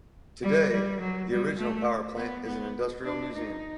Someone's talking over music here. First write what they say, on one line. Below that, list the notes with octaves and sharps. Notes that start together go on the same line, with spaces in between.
Today, the original power plant is an industrial museum.
G3
G3
F#3
G3
A3
B3
B3
D4
D#4